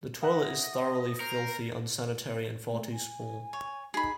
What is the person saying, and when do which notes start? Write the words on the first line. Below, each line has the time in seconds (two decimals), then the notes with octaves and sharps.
The toilet is thoroughly filthy, unsanitary, and far too small.
0.22 D#5 E5 F#5
1.20 A#4 C5
2.71 A3
2.92 G#5
3.53 C#5
3.94 D#4 G#4 B5